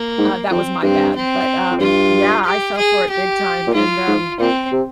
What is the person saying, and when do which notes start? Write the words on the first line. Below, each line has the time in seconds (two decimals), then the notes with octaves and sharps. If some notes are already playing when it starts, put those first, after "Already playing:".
uh, that was my bad, but, um, yeah, I fell for it big time, and, um,
Already playing: A#3
0.18 G#2
0.50 F2 C4
0.82 G2 C4
1.15 C4
1.71 F2
1.80 G2 F4
2.45 G4
2.77 G#4
3.10 G4
3.67 A#2
3.74 G#2 F4
4.07 G#2
4.39 A#2 C4
4.72 C3